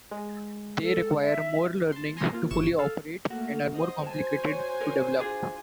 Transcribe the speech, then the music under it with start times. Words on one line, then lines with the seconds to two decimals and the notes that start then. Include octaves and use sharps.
They require more learning to fully operate and are more complicated to develop.
0.11 G#3
0.82 A4
1.22 E5
1.92 A5 C6
2.17 G#5 A#5 C6 C#6 D#6 E6
2.33 A#3 F4
2.50 G1 C3 E4 C#6 E7
2.79 A4 F5 A5
3.30 A3 A#3 F#4
3.75 C5 D#5
4.07 F#4 C5 G#5 A5
4.44 C#5
4.80 A#4 C#5
5.17 D4 F4 G#4